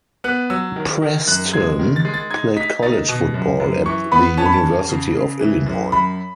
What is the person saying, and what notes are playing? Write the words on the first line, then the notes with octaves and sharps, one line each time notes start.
Preston played college football at the University of Illinois.
B3 F#6
F#3 E6
D#3
D#3
F#2 F#6
G#3 G#6
D#3
A6
G#3
A6
D#4 G#6
D#4 B6
D#4 A6
B2
F#2
F#2
E3 C#6
B3 B5
C#4 A5
B5
A5
E2
C#3
C#3
E3
F#2
F#2 B5